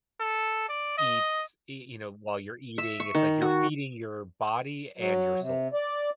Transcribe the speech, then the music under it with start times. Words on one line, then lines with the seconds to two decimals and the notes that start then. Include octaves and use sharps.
eats, y you know, while you're eating, it's like you're feeding your body and your soul.
0.20 A4
0.69 D5
0.98 D#5
2.78 E5
3.00 C#6
3.15 D#3
3.42 F#4
4.98 F#3
5.40 C3
5.73 D5